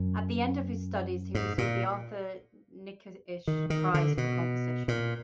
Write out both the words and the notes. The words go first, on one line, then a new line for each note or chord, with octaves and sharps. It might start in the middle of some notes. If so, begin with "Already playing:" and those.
At the end of his studies he received the Arthur Nikisch Prize for composition.
Already playing: F#2
G#2
A#2
D#3
D#3
D3
B2
A#2